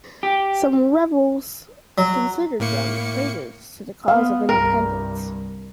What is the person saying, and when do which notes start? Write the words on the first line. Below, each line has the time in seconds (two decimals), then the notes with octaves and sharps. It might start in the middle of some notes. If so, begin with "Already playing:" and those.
Some Rebels considered them traitors to the cause of Independence.
0.23 G4
1.98 F#3
2.60 A2 A#3 C#7
4.08 B3 F5
4.49 C2 G2 A#4